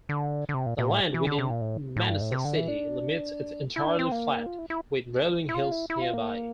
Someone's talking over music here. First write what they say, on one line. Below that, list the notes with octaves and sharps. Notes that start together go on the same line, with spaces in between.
The land within Manassa city limits is entirely flat, with rolling hills nearby.
D3
D3
C3
A#2
A#2
A2
E3
D3
C3
A#2
A2
A2
G2
A2
C3
D3
E3
D4
E4
D4
C4
A#3
F4
E4
E4
E4
F4
E4
E4
F4
A#3